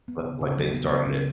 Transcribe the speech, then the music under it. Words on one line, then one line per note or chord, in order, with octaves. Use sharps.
But, like, they started it.
B3
C#3
C#3
F#3
B3
C#3
C#3